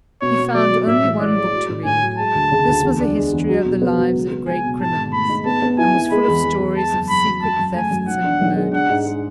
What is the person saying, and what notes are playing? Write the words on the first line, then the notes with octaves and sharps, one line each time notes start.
He found only one book to read: this was a history of the lives of great criminals and was full of stories of secret thefts and murders.
B2 C#5
B2
F#3 D5
F#3
A2 E5
A1
A1 D5
G#3
F#4
A2
A2 G#5
F#3
G#3 A5
D2
C#3
D2
E2
D4
G#3
E2
F#3
B2
B3
F#3
C#2
B3
C#2 G#5
B2
G#2 A5
G#1
A3 B5
G#2
B3 A5
B3
E4 G#5
B3
G#3 B5
E2
E2
E2
G#3 A5
F#1
F#1 B5
F#2
F#2 A5
F#2
A3 G#5
F#2
B1 F#5
D4
B1
G#3
D4 F#5
G#2
G#3